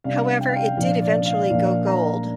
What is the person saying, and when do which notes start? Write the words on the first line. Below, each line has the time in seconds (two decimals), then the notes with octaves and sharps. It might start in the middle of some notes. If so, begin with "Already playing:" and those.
However, it did eventually go gold.
0.04 C3 G3 D4 F5
0.41 G5
0.49 F5
0.56 G5
0.77 A#2 F3 D4 F5
1.02 D5
1.25 F5
1.39 D5
1.50 A#2 F3 A#3 D4 F5
1.87 A#5